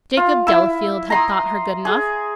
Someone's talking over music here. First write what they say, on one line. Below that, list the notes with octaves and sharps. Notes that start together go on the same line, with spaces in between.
Jacob Delafield had thought her good enough!
F4
E4 E6
A#5 C6 D#6
G#4